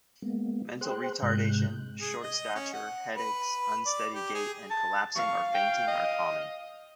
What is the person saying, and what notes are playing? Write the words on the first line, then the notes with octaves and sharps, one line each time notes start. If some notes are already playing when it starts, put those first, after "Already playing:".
Mental retardation, short stature, headaches, unsteady gait, and collapsing or fainting are common.
G#3 A#3 B3
G#4 C5 G5 C6 F#6
G#2 C3 G#3 F#6 G6
G#4
D#5
C#4
F#5
B4
D5
G4
G#4
A5
F5 C#6
G5
D#5